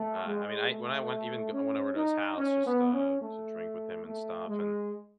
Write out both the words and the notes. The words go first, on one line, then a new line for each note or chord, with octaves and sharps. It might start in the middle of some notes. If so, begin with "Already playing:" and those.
uh, I mean, I when I went even go I went over to his house, just, uh, to drink with him and stuff, and,
Already playing: A3
G#3
A3
C#4
D#4
C#4
B3
C#4
A3
A3
G#3